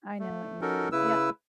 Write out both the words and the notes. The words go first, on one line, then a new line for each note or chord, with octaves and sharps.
I know what you mean, yep.
A3
C#4 D#4 F#4 A4 A#4
C#3 E4 B4 E6